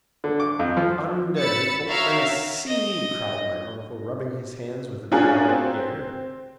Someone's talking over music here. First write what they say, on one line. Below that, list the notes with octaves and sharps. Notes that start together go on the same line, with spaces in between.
"Under the open sea," cried my uncle, rubbing his hands with a delighted air.
D3
D6
F2
F3
B5 E6 A6 C#7
F#4 A#4 C#5 E5 F5
D#5
F3 C#4 D4 F#4 G#4 A#4
C4